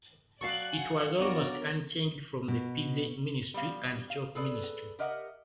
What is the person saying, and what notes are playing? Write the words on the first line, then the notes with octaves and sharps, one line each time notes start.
It was almost unchanged from the Pizzey Ministry and Chalk Ministry.
F#3 D5 F5 A5 C#6 F#6
F#5 G#5
B3 D4 F#4 A#4 C#5 D5
B2
G3 B3 F5
F5
G#4 A4 B4 D5
G4 A#4 D#5 E5 F#5